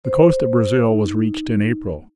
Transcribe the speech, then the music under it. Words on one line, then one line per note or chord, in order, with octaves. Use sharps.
The coast of Brazil was reached in April.
C5
D#4